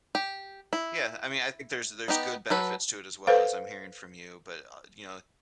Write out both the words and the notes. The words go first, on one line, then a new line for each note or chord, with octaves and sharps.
yeah, I mean, I think there's there's good benefits to it as well as I'm hearing from you, but, uh, you know,
G4
E4
B3 D#4 G4
F#3 A4 B4
A4 B4 C5 F5